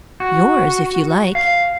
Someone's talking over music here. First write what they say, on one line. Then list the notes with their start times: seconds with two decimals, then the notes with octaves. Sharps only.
"Yours, if you like."
0.20 F#4
1.35 F5